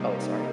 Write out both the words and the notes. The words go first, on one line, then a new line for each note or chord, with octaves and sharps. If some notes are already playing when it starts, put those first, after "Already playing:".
Oh, sorry?
Already playing: C3 G3 A#3 D#4